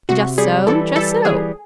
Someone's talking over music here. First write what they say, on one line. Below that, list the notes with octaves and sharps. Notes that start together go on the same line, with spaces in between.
'Just so, just so.
C3 F#4
G3 G#4
E3 A4
G3 A4
E3 G#4